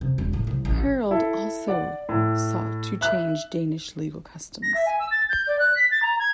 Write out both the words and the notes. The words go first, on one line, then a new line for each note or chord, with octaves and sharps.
Harald also sought to change Danish legal customs.
C3
E1
A2
C2
A1
E4 A4
D5 F#5
A2
E5 F#6
A#6
E5
G#5
E6
A6
G6
D5
F#6
B6
A6
A#5
G#6